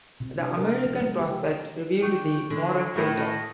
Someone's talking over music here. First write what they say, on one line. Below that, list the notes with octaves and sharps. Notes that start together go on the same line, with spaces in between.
"The American Prospect" reviewed "The Moral Center".
C3
D4
A#4
F3
G#3
G4
D4 G5 C#6
D3 G#3
A2 A3 A4 A#4 D#5